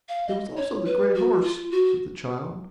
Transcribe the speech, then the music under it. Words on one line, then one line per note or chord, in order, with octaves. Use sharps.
"There was also the grey horse," said the child.
F5
D#5
C#5
B4
F#4
F4
F#4